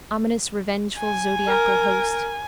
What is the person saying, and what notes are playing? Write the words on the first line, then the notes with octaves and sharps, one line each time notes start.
Ominous revengeful zodiacal host!
G#5
A#4